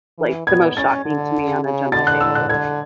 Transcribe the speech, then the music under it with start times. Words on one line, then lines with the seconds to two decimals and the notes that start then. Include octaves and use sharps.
like, the most shocking to me on a general basis.
0.18 E3
0.47 B3 G#6
0.76 C#4 A6
1.05 D3
1.64 C#3
1.92 D3 A6
2.07 F#6
2.21 E6
2.35 F#6
2.49 D3 G#6